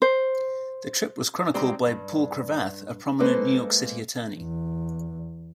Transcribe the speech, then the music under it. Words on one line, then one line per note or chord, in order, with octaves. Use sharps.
The trip was chronicled by Paul Cravath, a prominent New York City attorney.
C5
G3 G#3 C4 D#4
G2
G#3 A#3 A4 B4 C5
E2